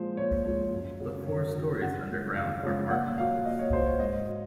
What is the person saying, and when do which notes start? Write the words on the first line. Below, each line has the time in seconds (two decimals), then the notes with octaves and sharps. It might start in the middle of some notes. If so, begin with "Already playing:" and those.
The four stories underground are parking levels.
Already playing: A#2 F3 G#3 C5
0.17 A#2 C#5
0.45 F3 G#3 C#5
0.73 F#2
1.00 C#3 F#3
1.26 F#2 C#5
1.54 C#3 F#3
1.82 F#2 F#5
2.09 C#3 F3 G#3
2.36 F#2 F5
2.63 C#3 F3 G#3
2.86 F5
2.90 A#2 F#5
3.18 F#3 F5
3.45 A#2 D#5
3.59 C#5
3.73 F#3 C5
3.86 C#5
3.99 G#2 D#5
4.27 F#3